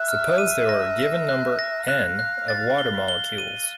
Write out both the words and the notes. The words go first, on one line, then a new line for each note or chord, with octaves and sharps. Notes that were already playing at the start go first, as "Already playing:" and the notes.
Suppose there are a given number "N" of water molecules.
Already playing: E5 F#6
F6
D#7
A#6
A#6
F#6
A#6
F5 F#6
F#6
A6
G7
G7
D#7